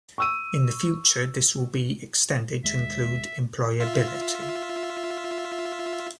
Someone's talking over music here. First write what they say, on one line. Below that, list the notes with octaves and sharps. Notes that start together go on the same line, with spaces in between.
In the future this will be extended to include employability.
C#6 E6 D#7
D#2 G#3 E5
F4 E5